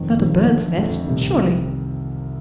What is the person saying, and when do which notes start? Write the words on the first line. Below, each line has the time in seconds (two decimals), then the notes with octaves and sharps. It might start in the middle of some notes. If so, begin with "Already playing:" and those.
Not a bird's nest, surely.'
Already playing: F1 F2 D#3
0.19 F1 F2 D#3
0.48 F2 D3 A3
0.77 F2 D3 A3
1.07 C2 C3 D#3